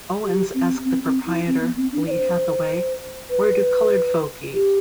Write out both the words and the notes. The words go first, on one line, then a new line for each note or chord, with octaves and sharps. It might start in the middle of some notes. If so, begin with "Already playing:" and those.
Owens asked the proprietor, Lee Hathaway, where do colored folk eat?
G4
C4
C4
C4
E4
C4
B3
C4
D4
D5
C5
B4
G4